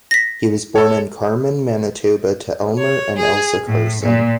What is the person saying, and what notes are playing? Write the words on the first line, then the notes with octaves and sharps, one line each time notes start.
He was born in Carman, Manitoba to Elmer and Elsa Carson.
A#6 B6
A4 C#5
C#5
G#4
A2
A#2